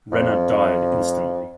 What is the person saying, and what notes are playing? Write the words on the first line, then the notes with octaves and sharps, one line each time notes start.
Renna died instantly.
F2